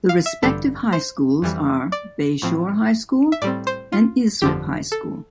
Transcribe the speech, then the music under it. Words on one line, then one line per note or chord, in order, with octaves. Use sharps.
The respective high schools are Bay Shore High School and Islip High School.
F5
E5
A1 G2 D3 G3 A4
C5
F2 E3 G3
D5
A2 F3 C4
E5
A2 G3 C4 D5
C5
F4
G1 F2 D3 F3 G4
A4